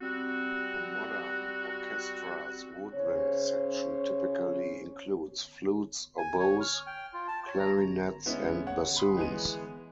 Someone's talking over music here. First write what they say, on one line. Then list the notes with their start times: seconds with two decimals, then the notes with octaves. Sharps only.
The modern orchestra's woodwind section typically includes: flutes, oboes, clarinets, and bassoons.
0.01 G3 C4 F#4
2.94 C#3 C#4 C5 C#5
6.18 G#5
6.39 C#5
6.61 F6
6.87 G5
7.14 F4
7.28 A5
7.47 C#5
7.59 A#5
8.26 G#3 B3 C#4 E4
8.66 C#5 F#5
8.96 B5 C6 D#6
9.17 E3 G#3 B3 D#7